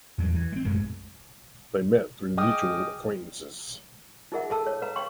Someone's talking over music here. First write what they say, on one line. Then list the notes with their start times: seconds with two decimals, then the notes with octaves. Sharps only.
They met through mutual acquaintances.
0.18 E2 F#3 G3
0.35 E3
0.52 G#3 C4
0.65 B1 F#2 G#3 A3
2.37 G#4 D#5 G5 D6 D#6 F6
4.32 D#4 F4 G#4 A#4 E5 F#5
4.50 G#4 A4 F5 A5 E6
4.66 C#5
4.82 B4 F5 A#5
4.96 F5 G5 C6 C#6